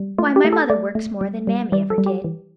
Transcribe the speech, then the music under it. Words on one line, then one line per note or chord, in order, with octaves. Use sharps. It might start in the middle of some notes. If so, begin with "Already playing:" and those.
Why, my mother works more than Mammy ever did.
Already playing: G3
A3 F4
G4
A3
A4
A3 D5
A3
G3
G3
G3 D5
A4
G3
G4
E3